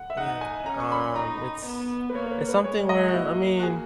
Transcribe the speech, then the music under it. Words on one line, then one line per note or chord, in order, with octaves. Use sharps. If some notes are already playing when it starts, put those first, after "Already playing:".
I yeah, um, it's it's something where, I mean,
Already playing: F#5
E5
D#4 F#5
G#5
C#4 A#5
C#6
B5
D#4 A#5
B3
B4
A#3 C#5
C#5
B4
B4
G#3 C#5
D#5
F#4
A#3 E4
F#4
G#4